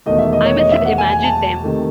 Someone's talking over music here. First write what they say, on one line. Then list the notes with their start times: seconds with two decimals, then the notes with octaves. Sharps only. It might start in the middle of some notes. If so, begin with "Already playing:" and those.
I must have imagined them.
0.06 E1 E2 D#3 A3 D#5
0.19 E5
0.33 D#5
0.45 C#5
0.58 D#5
0.72 E5
0.85 F#5
0.98 G#5
1.11 G#5
1.24 A5
1.63 C3 D#3 A3